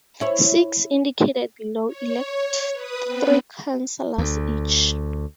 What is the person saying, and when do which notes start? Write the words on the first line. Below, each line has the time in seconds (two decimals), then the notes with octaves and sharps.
Six, indicated below, elect three councillors each.
0.21 E4 C#5
1.87 C#5
2.72 B4 D#6
3.04 B3 C4 B4
4.18 D2